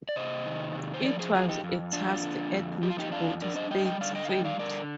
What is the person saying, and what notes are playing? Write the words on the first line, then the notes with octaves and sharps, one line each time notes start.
It was a task at which both states failed.
D5
C3 C5 D#5
D#3
C3
C5
F3 A#4 D5
G#4 C5
F2 F4 G#4
D#4 G4
F2
F3 D4 F4
D3
F2
F3 G4
F4
D#4 G4
F2 D4 F4
D4 A#4 D5
C5 D#5
G3 D#5 G5
D#5 G5
D3 D5 F5
D#5 G5
F5
G3 D#5 G5
D5 F5
D3 A#4 D5